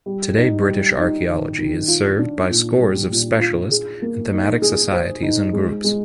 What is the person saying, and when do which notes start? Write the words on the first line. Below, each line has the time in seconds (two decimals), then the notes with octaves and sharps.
Today British archaeology is served by scores of specialist and thematic societies and groups.
0.06 G3
0.37 D#4
0.67 G3
0.98 D#4
1.28 D#3
1.58 D#3
1.88 F4
2.19 D4
2.49 A#2
2.79 G3
3.11 A#2
3.40 F4
3.71 G#4
4.02 A#3
4.32 D#4
4.62 G#4
4.93 C5
5.22 D#4
5.53 G#3
5.84 G#3